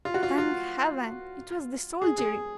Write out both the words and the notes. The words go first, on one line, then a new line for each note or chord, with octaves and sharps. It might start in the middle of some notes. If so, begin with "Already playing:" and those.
Thank Heaven! it was the soldiery.
F4
F#4
F4
F4
G#4
G#4